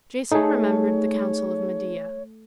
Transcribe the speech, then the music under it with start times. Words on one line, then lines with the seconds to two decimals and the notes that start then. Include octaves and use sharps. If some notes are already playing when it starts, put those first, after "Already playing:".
Jason remembered the counsel of Medea.
0.32 A3 D#4 G#4 C#5